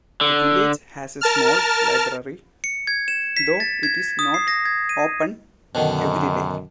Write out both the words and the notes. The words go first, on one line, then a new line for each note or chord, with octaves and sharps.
The village has a small library, though it is not open every day.
D3
A#4 A5 F6
C#7
G#6
E7
B6
A6
G#6
D#6
C7
A#6
G#6
D#7
F#2 B2 D3 D#3